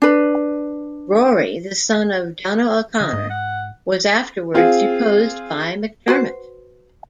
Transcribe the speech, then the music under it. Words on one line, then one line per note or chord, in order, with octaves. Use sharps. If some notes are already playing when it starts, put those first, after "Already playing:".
Rory, the son of Donough O'Conor, was afterwards deposed by Mac Dermot.
D4 B4
D3 D#5
G#2
F#5
C4 F4 G#4
F#4 B4 C5